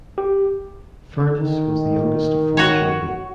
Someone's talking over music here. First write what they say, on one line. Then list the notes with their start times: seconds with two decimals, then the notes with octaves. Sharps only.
Furness was the youngest of four children.
0.18 G4
1.37 D#3
2.57 F#4 C#5